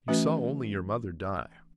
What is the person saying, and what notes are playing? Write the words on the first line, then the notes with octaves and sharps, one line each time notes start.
You saw only your mother die.
E3 A3 C#4 F#4 B4